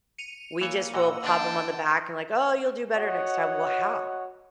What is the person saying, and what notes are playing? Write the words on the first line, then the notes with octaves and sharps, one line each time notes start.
We just will pop them on the back and like, "Oh, you'll do better next time." "Well, how?
C#7 D#7 F7
E3 A#3 C#5
A#2 E3 D#5 F#5 E6
D3 D4 G5 A5
F#4 C#5 D#5 F#5